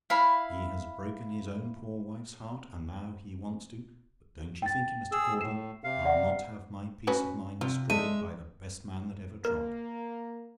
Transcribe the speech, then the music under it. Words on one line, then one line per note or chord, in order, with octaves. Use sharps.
He has broken his own poor wife's heart, and now he wants to--but don't you think it, Mr. Caudle; I'll not have my peace of mind destroyed by the best man that ever trod.
E4 F5 B5
G5 A6
G#4 E6
A2 C7 E7
C3 F5
D5 E5 F#5
C#4 F#4 B4
C3 F4
G#3 A3 E5 D#7
A#3 A#4